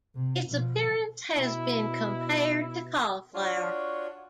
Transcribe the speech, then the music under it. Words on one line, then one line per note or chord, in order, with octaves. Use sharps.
Its appearance has been compared to cauliflower.
C3
B2 F3
B2 E4
D4 F4 F#4 C#5